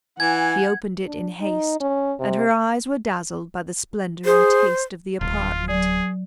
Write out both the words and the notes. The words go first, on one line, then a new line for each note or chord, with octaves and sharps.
She opened it in haste, and her eyes were dazzled by the splendour and taste of the apartment.
E3 F#5 G#5 G#6
D4
D#4
C#4
C3
G#4 C5
D1 F4
F#3 G#4 D5